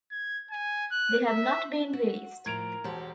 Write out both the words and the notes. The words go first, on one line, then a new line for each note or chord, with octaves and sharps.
They have not been released.
G#6
G#5
F#6
E5
F#4
A2 F3 A#4 G#6 D7 F7
E1 F#4 G4 C5 A5